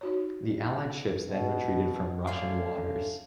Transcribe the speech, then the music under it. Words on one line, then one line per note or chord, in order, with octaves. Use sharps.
The allied ships then retreated from Russian waters.
D#4 F#4 C#5
B2
D3 A3 C#4 F5